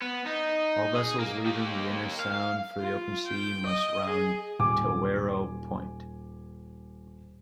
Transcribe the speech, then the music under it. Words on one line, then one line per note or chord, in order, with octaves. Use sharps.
All vessels leaving the inner sound for the open sea must round Tawero Point.
B3
D#4
G#4
A#3
A#3 G4
F5
F4
G5
D#5
G#4
D#1 G#5 D6